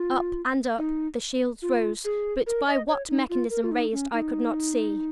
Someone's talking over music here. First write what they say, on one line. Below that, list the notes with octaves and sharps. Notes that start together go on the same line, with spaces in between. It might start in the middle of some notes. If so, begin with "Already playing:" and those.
Up and up the shields rose, but by what mechanism raised I could not see.
Already playing: F4
D#4
F4
G#4
A#4
D#5
C#5
D#4
F4
A#4
F4
D#4
C#4
D#4